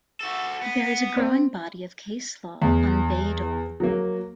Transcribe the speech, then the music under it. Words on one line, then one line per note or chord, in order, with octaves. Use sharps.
There is a growing body of case law on Bayh-Dole.
F#4 A4
B3
C4
E2
F#3 A#3